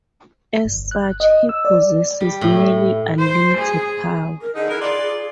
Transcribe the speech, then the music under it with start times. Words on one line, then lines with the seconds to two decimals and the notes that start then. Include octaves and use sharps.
As such, he possesses nearly unlimited power.
0.65 G1
0.91 F#6
1.20 D#5
1.49 E6
1.65 D5
2.20 G3
2.41 A2
3.19 C5
3.58 G#4
4.41 A#4
4.55 D3 D#4 G#4
4.69 E3 A#4
4.81 F4 D5